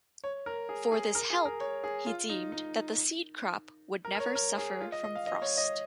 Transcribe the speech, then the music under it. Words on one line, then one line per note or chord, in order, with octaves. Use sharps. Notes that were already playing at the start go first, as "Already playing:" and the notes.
For this help he deemed that the seed crop would never suffer from frost.
C#5
A#4
G#4
G#4
A#4
G#4
A#4
C#5
G#4
F4
D#4
D#4
A#4
A#4
C#5
A#4
G#4
F4
D#5
D#5
F5
D#5
C#5
D#5